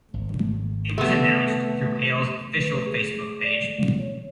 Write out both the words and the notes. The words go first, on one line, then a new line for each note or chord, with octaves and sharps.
It was announced through Hale's official Facebook page.
G#1
C3 D#3 A3 B3
B4
G#4
D5
C#5